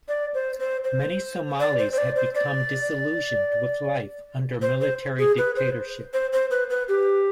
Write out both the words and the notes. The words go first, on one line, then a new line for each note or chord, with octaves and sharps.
Many Somalis had become disillusioned with life under military dictatorship.
D5
C5
C5
C5
D5
C5
C5
D5
C5
D5
C5
C5
G#4
B4
C5
C5
C5
B4
B4
G4